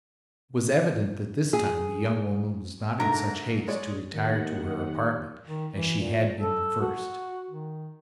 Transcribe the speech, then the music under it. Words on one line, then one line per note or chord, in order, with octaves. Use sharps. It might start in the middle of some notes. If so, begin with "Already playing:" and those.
It was evident that this time the young woman was not in such haste to retire to her apartment as she had been the first.
G#4
G#2 D3 A3 A#4 A#5
G#3 C#5 D5
D#2 D#3 F#5
D#3
E3
A#2
A4
F#4
D#3